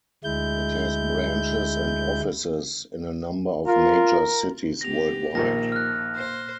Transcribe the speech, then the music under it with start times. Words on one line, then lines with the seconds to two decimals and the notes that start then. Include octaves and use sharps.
It has branches and offices in a number of major cities worldwide.
0.24 D2 G#3 E4 G6
3.67 F4 A#4
4.81 B3 G4 A#6 F7
5.35 A#1 A#2 D#3 F3 A#6
5.72 F6 F#6
6.16 C5